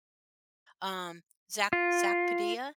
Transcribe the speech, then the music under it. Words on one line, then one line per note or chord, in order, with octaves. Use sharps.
um, Zack Zack Padilla
F4